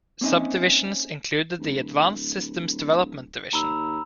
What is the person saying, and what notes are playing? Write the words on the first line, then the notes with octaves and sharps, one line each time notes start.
Subdivisions included the Advanced Systems Development Division.
A#3 C4 C#4 D#4 D#5 E5
D1
D#2 A#5 B5 E6